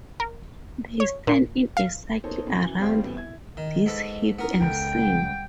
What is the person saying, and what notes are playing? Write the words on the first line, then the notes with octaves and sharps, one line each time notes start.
They stand in a circle around this heap and sing.
A#4
C#5
A#2
F5
A#3 B3 D#4 A4 C5 C#5
A2 C3
F#2 E3 F#3
G#1 G3 C4 C5 F5 G5
E2 A2 G3 B3 C4
E4 G#6
D#3 D#5
G#2 A4 B4
B3 C#4 D#4 E4 A#4
C#2 A4 G5
G3 F#5